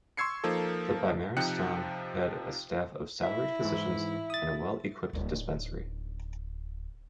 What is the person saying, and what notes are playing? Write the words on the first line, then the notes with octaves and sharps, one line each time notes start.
The bimaristan had a staff of salaried physicians and a well equipped dispensary.
C6 C#6 E6 G#6 C7 C#7
F3 A#3 D#4 A4
C3 F3 D#4 G5 F#6 C#7
E4 E5
G#2 E3
D#6 A6
D1 D#4